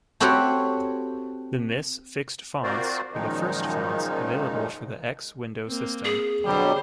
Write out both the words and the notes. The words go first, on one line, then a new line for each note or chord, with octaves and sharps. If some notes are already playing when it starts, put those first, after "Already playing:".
The misc-fixed fonts were the first fonts available for the X Window System.
A3 C4 F#4 G4 B4 C#5
C4 F4 F#4 A#4 C5 D5
F#2 A#2 D#3 F3 G#3 D#4
A#3 C4
G#4
B2 D3 F#3 G3 G4 C5